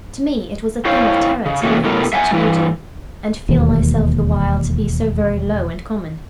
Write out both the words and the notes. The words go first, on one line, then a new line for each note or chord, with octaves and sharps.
To me it was a thing of terror to behold such beauty, and feel myself the while to be so very low and common.
C4 E4 C5 C#5 F5
C#3
C3 E3 A3 A#3 C#4 F#4
C3 A3 B3 E4 G4 A#4
E5 F#5 G#5
G2 E3 E4
E1 D#2